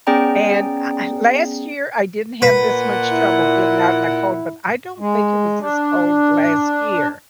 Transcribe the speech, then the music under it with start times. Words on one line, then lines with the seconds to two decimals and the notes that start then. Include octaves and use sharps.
And eh last year, I didn't have this much trouble getting out in the cold, but I don't think it was this cold last year.
0.07 B3 C#4 G#4 D5 G5 A#5
2.42 A#2 B4 F#5
3.10 E4
5.00 G#3
5.61 D4